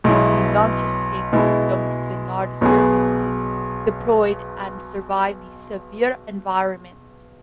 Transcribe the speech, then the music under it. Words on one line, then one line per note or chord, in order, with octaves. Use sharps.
The launch escape system canard surfaces deployed and survived the severe environment.
B1 B2 G#3 E4
B2 G#3 E4
B1 B2 B3 G#4